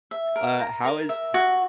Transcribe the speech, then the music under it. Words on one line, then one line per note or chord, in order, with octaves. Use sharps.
uh, how is ha
E5
A#4
A#5
A#4
E5
F#4